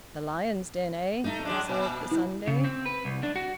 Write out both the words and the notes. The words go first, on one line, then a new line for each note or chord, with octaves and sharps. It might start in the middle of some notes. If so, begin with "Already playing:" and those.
"The lion's den, eh?" observed the Sunday.
G2 A3 D#4
F#3 G#3 D4
A#2
E3
C#3
C4
B4
C2
D4
F#4